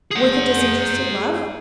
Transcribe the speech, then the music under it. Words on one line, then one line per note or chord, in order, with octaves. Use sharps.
"With a disinterested love?"
G#4 F#5